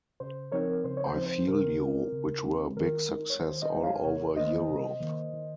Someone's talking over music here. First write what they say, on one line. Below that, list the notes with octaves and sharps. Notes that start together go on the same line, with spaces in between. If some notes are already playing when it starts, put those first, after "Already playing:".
I Feel You, which were a big success all over Europe.
C#3 C5
F3 C4 D#4 A#4 C#5
C#3 C5
C#5
C5
F3 C4 D#4
C5
C#3 A#4
G#3 C4
C#3
G#3 C4
D#3 A#4
G#3 D#4
C#5
D#3 C5
C5 D#5
G#3 D#4
C#5 F5
C3 A#4 C#5
D#3 A#3 C5 D#5
C3
D#3 A#3
D#3